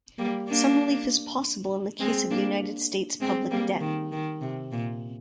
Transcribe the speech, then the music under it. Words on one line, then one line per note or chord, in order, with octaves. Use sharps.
Some relief is possible in the case of United States public debt.
G3 A#3
A#3 D4
G#3 C4
A#3 D4
G#3 C4
G3 A#3
D#3
D#3
C3
A#2